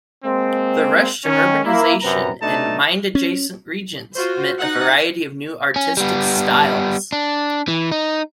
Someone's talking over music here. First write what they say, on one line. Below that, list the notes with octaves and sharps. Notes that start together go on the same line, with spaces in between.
The rush to urbanization in mine-adjacent regions meant a variety of new artistic styles.
G#3 A#3 C4
D#3 C#4
A#3 E4
F#2 C3 B4 A#5
B2 A3 D4 D#4 A5
C#4
F4 F#4 C5
D#4 F#5
C#4
G3 B3
D4
E3
D#4